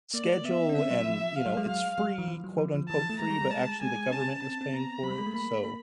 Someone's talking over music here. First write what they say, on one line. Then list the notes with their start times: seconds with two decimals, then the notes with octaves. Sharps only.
schedule, and, you know, it's free, quote unquote "Free," but actually the government was paying for it, so,
0.14 A#3 D5
0.24 A3
0.44 B3 E5
0.69 C#4
0.75 C4 E5
0.90 F#3
1.06 F3
1.36 F5
1.46 F#3
1.57 G#3
1.66 F#3 F5
1.98 F#3
2.18 E3
2.28 F3
2.44 F#3
2.58 F3
2.74 F3
2.89 E3 A5
2.99 F3
3.09 A3
3.19 G#3 A#5
3.30 G3
3.41 G3
3.50 G#3 A5
3.81 G#3 G#5
3.96 G#3
4.11 C#4 A5
4.42 C4 A5
4.61 C4
4.73 B3 A#5
5.03 F#3 B5
5.11 G3
5.18 G#3
5.26 A3
5.34 A#3 B5
5.65 A#3